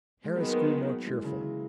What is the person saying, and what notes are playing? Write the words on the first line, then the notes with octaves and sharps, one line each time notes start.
Harris grew more cheerful.
G#3
D#3 F#3 G#3 A#3 B3
E3 G#3
C#3 E3
C#3 E3